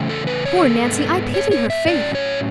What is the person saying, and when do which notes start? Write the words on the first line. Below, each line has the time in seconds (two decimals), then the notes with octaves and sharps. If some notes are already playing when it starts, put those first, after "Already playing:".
Poor Nancy, I pity her, faith!
Already playing: C#3 E3 A3 C#4
0.09 A4
0.27 B4
0.46 C#5
0.56 G#4
0.63 A4
0.81 G#2 G#3 B3
1.34 C#5
1.51 C#5
1.70 E5
1.87 A2 F#3 A3 C#4 D5
2.15 C#5